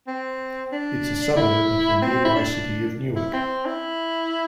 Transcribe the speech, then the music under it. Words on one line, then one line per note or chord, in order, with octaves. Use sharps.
It's a suburb of the nearby city of Newark.
C4
D4
E4
C4
E4
D4
E4
C4
E4